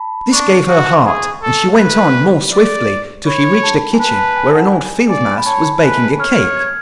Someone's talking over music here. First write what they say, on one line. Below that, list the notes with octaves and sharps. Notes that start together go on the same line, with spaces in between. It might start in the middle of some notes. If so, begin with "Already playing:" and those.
This gave her heart, and she went on more swiftly, till she reached a kitchen where an old field mouse was baking a cake.
Already playing: A5 B5
D4 C#6
F#4
G#4
A4
B4
D5
C#5 B5
A5
G#5
B4 A5
A5
G#5
F#5
G#5
D5 G#5
B5
C#5 A5
B4 G#5
C#5 F6
F6
G#6